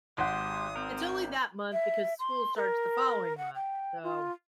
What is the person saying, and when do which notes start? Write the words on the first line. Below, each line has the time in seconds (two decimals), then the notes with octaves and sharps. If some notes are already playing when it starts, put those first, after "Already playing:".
it's only that month because school starts the following month, so
0.18 G#1 G#3 G4 C5 F#5 C6 D#6
0.76 C4 A#4
1.73 E5
2.19 C6
2.56 A#4
3.38 F#5
3.55 G5
4.03 F4